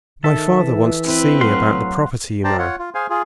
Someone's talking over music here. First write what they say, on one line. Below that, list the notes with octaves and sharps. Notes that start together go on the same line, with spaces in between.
"My father wants to see me about the property, you know."
D#3 A4 E5
E3
C4 E4 B4
A2 F#3 F5 F#5 C6
C5 D5 G5 A5 A#5
F4 C#5 F#5
F4
G#4 C5 F5 G#5
F4 G#4